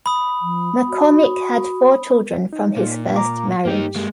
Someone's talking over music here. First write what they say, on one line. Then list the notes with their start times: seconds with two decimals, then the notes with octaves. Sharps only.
McCormick had four children from his first marriage.
0.06 B5 D#6
0.41 F3
0.88 F#4
2.53 D#4
2.76 A#2
3.16 A#5 D6
3.65 G2 A#3 D#4 G4
3.96 G#3 A#3